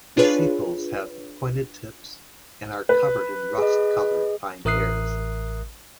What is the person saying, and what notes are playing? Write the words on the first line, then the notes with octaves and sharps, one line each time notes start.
The sepals have pointed tips and are covered in rust colored fine hairs.
D4 F4 G#4 B4 C#5
B4
G#4 D#5
A1 A#4 E5 D#6 F#6 C7